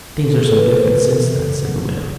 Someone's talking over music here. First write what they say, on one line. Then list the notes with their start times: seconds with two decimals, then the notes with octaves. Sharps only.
"But things are so different since that," said the widow.
0.24 C#3 A4
0.34 G#4
0.40 E3 A4
0.56 E3 B4
0.66 B4
0.72 C#3 C5
0.87 C#3 B4
0.97 A#4
1.02 E3
1.08 A4
1.19 E3
1.33 C#3
1.49 A#2
1.65 F#3
1.81 F#3
1.96 A#2